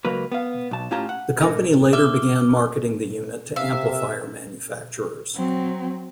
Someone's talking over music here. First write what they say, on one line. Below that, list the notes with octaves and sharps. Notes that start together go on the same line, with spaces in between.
The company later began marketing the unit to amplifier manufacturers.
C#2 F#3 A#3 B4
B3 F5
B1 A5
A2 C#4 F4 G4 A5 A#5
F#5
G#2 E3 D4 A4 A#4 D#5
E5 D6 F6 G7
C3 E5 F5
F#3 C4